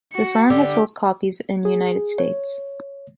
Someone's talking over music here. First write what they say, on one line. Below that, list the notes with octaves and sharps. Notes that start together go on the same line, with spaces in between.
The song has sold copies in United States.
F#4 C#7
D3 G4
G#4
C#5